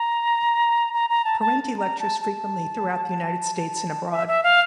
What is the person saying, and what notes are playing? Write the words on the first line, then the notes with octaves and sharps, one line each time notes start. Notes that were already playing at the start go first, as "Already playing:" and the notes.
Parenti lectures frequently throughout the United States and abroad.
Already playing: A#5
A#5
A#5
A5
A5
A#5
A5
A5
E5
E5
F5